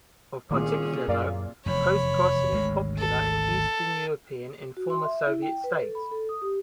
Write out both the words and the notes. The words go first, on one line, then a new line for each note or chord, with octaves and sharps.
Of particular note, postcrossing is popular in eastern European and former-Soviet states.
C2 A#2 D#3 C#4 G#4 D6
F#2 A#4 D5 F5
F1 E2 C#5 B5
G#1 D2 G#3
A4
F#4
C6
E5
E4
G5
B4
A4
B5
A4
D#6
G4